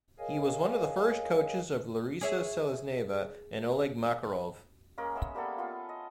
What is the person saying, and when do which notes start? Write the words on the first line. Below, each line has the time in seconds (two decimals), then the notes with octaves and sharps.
He was one of the first coaches for Larisa Selezneva and Oleg Makarov.
0.19 G#4 A#4 C#5 D#5 F5 G#5
2.21 G#4 C#5 E5
4.98 G#3 A#3 C#4 A#4
5.15 B3 C#4 E5 E6
5.35 G3 A#3 B3 A4
5.58 B3 F4
5.89 D#5